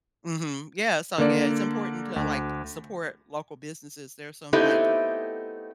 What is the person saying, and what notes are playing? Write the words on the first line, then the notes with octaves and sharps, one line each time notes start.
Mhm, yeah, so yeah, it's important to, like, support local businesses. There's some, like,
D3 A#3 D5
D2
A3 B3 C4 D#4 E4 G4